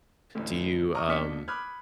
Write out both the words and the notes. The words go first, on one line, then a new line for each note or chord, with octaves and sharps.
Do you, um,
A1 D2
A#5 C#6 D#6 F6
B2 A#3 D4 F6 B6 C#7
B5 D6 D#6 F6 F#6 G#6